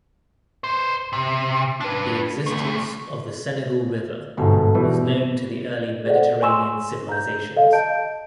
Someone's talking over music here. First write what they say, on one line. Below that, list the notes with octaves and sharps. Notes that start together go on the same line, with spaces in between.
The existence of the Senegal River was known to the early Mediterranean civilizations.
B4 C5
C3
D4 B4
D2 A3
G1 G#2 B2 A4 A5
B2 E3 G3 B3
G#4 A4 C5 D5 D#5 F#5
G#5 C6 C#6 E6 E7
A#5 G6
A4 D#5 F5
D#5 A5 G6 D7